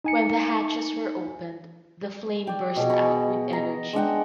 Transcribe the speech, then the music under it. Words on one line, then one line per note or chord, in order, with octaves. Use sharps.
When the hatches were opened, the flame burst out with energy.
D#4 G#5 C#7
D5 G5
B2 F3 G#4
B2 D#5 B5 C#6
A#5
G#3 D4 F#5 G5